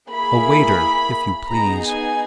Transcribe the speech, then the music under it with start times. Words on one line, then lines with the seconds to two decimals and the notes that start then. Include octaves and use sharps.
A waiter, if you please.
0.13 A#3 E4 G#4 B5
1.50 B3 D#4 G#4 A#5
1.85 G#5